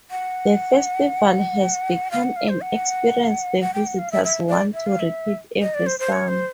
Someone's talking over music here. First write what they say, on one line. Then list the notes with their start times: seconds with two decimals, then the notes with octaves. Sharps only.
The festival has become an experience the visitors want to repeat every summer.
0.11 F#5
2.11 F5
2.23 F#5
2.36 F5
2.49 C5
2.61 F#5
3.61 F#5
3.74 G5
3.86 F#5
3.99 F5
4.12 E5
4.24 E5
4.49 D5
4.74 E5
4.87 F5
4.99 E5
5.62 D#5
5.74 D5
5.86 C5
6.00 C5
6.12 C#5
6.28 C5